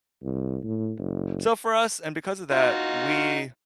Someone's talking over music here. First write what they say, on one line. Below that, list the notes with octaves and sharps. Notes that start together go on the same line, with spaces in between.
So for us, and because of that, we
C2
A2
F#1
D#4 F4 F#4